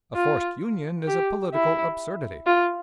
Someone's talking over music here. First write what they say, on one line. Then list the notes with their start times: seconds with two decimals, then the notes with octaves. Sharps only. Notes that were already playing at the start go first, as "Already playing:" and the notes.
A forced union is a political absurdity.
0.16 F4
1.08 G4
1.54 E4
2.46 F4